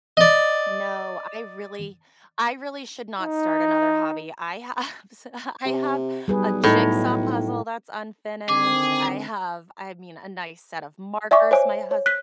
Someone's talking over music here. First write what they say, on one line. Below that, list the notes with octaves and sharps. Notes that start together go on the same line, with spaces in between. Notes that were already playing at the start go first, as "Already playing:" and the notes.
No, I really I really should not start another hobby, I have so I have a jigsaw puzzle that's unfinished, I have I mean, a nice set of markers, my hus
D5 D#5
D#4
C3
B1 G3 G#4 B4
A2 D#4
D3 D#3 C4 G#4 D6
D5 E5 G#5 C#6 D6
C5 C#5 G#5
C#5
F#6 B6